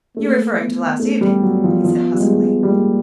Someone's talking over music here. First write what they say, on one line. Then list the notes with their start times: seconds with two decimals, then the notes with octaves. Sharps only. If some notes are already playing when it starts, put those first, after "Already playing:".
"You're referring to last evening," he said huskily.
0.16 A3 A#3
0.58 B3
1.00 A3
1.21 G3
1.42 F#3
1.64 F3
1.84 F3
2.13 G3
2.20 G#3
2.26 G3
2.40 G#3
2.63 G3
2.68 G#3 A#3